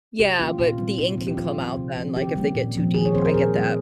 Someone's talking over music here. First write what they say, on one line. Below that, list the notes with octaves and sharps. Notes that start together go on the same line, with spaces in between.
Yeah, but the ink can come out then, like, if they get too deep, I get that.
C3 G4
D#3 A#3 C#4 F4
A#2 F4
G3 C4
C3 D#4
F3 G#3 C4
G4
D#3 F4
G#3 C4
C3
F3 C4
D#3 G4
G3 A#3 C#4
A#2
F3 C4
D#3 G#4
C#5
G#3 C4 C5
A#4
A#2 G#4
G3 C4